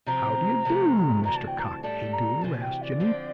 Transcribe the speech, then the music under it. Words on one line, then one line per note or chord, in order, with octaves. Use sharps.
"How do you do, Mr. Cock A. Doodle?" asked Jimmie.
C3 F3 C4 A#5
C3 F3 A3
D2 C3 E3 A#5
A5
G5
A#5
A5
A2 E3 G3 D4 A4 A5
A#5
D2 C3 E3 A5
G5
D5
D3 F3 C4